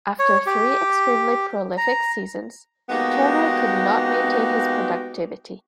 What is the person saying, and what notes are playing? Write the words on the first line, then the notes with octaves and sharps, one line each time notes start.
After three extremely prolific seasons, Turner could not maintain his productivity.
C#5
G4
A#5
G#3 A#3 B3 D#4 F#4 G4